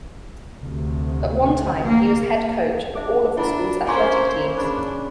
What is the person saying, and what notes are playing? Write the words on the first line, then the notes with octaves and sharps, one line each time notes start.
At one time, he was head coach of all of the school's athletic teams.
D2 C3
A#3
D4 G#4 E5
D4 E4 A#4 E5 B5
A#3 C#4 E4 C5 G#5 A#5 C6 C#6
C#3 D4 B4